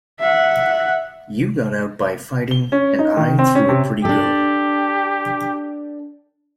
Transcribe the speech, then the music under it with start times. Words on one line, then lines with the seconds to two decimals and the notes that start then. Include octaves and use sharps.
You got out by fighting, and I through a pretty girl.
0.20 E5 F#5
2.51 G7
2.72 C#4
2.99 D#4
3.17 D#3
3.39 C4
3.55 C#4
3.69 C3
4.05 D4 G4 A4